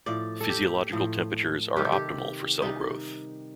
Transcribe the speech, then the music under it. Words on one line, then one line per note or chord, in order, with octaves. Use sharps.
Physiological temperatures are optimal for cell growth.
A2 F3 D5
A4
G4
A2 F3
C3 D#3 G3 G4
A4
G4
C3 D#3 G3 D#4